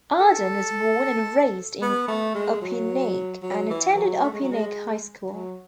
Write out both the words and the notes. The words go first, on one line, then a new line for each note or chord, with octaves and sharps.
Ardern was born and raised in Opunake, and attended Opunake High School.
A4
B3
A3
G#3
F#3
F#3
E3
F#3
A3
G#3
F#3
G#3
F#3